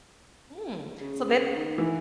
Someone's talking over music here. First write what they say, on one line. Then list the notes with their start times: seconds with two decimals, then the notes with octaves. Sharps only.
Mm, so they th
1.01 C#3
1.56 D#3
1.78 E3